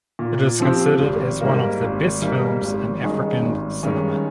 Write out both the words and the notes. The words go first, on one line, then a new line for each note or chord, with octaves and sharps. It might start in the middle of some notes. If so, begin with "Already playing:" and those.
It is considered as one of the best films in African cinema.
A#2
F3 C4 G4
G#1
G#2 G3 A#3
G#1
G#2 G3 A#3
G#1
G2 D#3 G#3 C#4
G#1
G2 D#3 G#3 C#4